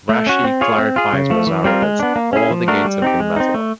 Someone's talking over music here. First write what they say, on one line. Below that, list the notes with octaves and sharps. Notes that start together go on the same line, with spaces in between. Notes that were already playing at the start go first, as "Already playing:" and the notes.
Rashi clarifies mazzarot as "all the gates of the mazalot".
A3
C#4 F#4
C4
F4 G#4 C#5
C4
F4 G#4
C#3
F3 A3
E3
G3 C4 F4 A#4
G#3
B3 D4
A#3
C#4 E4 G#4
F3
A3 D4 F#4 A#4
G3
C4 D#4 G4
G#3
C4 D#4
A3